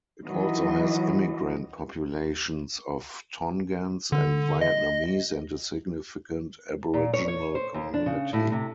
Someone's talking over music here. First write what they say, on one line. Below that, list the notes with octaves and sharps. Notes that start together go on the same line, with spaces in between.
It also has immigrant populations of Tongans and Vietnamese and a significant Aboriginal community.
D#3 E3 F#3 D#5
D3
D#5
A#2
C#5
C#5
C5
D#2
D4
C#3
A2
C3